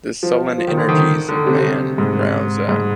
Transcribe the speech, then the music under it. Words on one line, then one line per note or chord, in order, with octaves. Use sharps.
The sullen energies of man rouse up.
F3
F3
D#3
D3
D#3
D3
C3
G#2
G#2